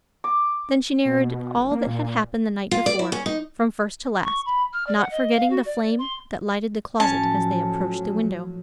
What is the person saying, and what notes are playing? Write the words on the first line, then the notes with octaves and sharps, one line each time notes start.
Then she narrated all that had happened the night before, from first to last, not forgetting the flame that lighted the closet as they approached the window.
D6
B2
F1
A#3
A#2
F4
D5
E4
C#4
D#4
C#6
B5
F6
D5
F#5
D#5
F5
F#4
D5
C6
A2 F3 F#3 C#4 A5